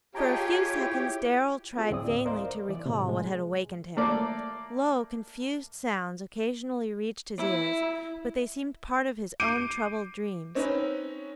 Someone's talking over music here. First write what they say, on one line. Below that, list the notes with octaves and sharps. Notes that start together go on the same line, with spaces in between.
For a few seconds Darrell tried vainly to recall what had awakened him. Low, confused sounds occasionally reached his ears, but they seemed part of his own troubled dreams.
F4 G4 G#4 C#5 D#5 G5 A5 A#5
E4
C4 F4 G#4
D2 A2 C4 E4 D5 D#6
A#4 C5 D5 D#5 F5 C6
E3 D5
A2 C3
G#3
A3 A#3 D5
E4
D6 G6 C7 D7 D#7
C4 C#4 D#4 B4